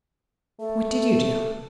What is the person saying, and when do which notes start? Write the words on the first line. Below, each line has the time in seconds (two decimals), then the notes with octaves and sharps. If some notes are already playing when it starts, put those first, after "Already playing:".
"What did you do?"
0.60 A3 A4